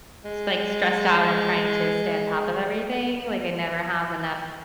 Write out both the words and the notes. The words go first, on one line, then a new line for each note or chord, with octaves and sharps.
s like, stressed out and trying to stay on top of everything. Like, I never have enough
G#3